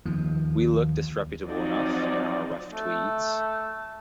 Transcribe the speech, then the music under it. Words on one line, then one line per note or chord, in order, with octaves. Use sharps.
We look disreputable enough in our rough tweeds.
D#2 F3
F3 F#3 C4 D#4 D5
A3